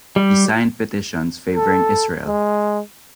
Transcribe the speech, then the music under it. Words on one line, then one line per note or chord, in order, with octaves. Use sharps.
He signed petitions favoring Israel.
G3
A4
G#3